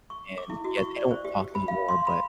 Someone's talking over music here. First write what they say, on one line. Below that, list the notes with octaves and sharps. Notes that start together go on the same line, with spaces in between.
and yeah, they don't talk anymore, but,
C#6
D6
E4
F#4
C#6
D5
C5
G4
B5
F5
C6
B5